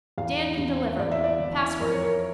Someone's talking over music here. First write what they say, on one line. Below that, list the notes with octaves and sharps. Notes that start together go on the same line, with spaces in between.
Stand and deliver. Password.
E2 F5
E2
E2 D5
E5
D5
E3
F2 A#4
C#5
A#4